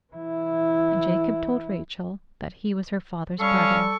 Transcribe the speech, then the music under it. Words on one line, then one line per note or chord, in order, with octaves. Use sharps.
And Jacob told Rachel that he was her father's brother.
E3 E4
G3 C#4 A4 F5 C#6